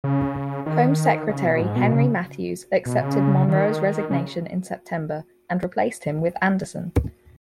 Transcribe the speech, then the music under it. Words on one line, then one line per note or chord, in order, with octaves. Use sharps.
Home Secretary Henry Matthews accepted Monro's resignation in September and replaced him with Anderson.
C#3
D#3
C#3
B2
G#2
B2
C#3
B2
C#3
D#3
C#3